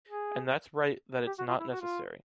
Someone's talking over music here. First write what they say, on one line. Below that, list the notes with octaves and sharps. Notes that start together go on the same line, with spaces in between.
And that’s right that it’s not necessary.
G#4
G4
F#4
F4
E4
F#4
F4